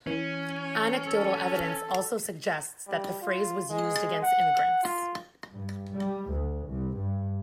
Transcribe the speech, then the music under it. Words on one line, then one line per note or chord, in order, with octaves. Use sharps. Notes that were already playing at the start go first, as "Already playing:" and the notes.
Anecdotal evidence also suggests that the phrase was used against immigrants.
E3 C#4
A4
G3
F4
G#3
F#5
F4
G2
G3
D2
C2
G2